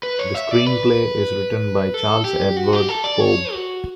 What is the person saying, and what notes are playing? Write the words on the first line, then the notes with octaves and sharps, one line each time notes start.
The screenplay is written by Charles Edward Pogue.
B4
C#5
E5
D5
B4
A4
G4
F#4
G4
A4
D5
C#5
F#4